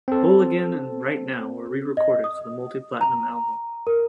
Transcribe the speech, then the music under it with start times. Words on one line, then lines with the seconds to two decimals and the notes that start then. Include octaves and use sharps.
"Whole Again" and "Right Now" were re-recorded for the multi-platinum album.
0.08 C4 A4
1.97 D#5
2.24 D#6
3.01 A#5
3.87 A#4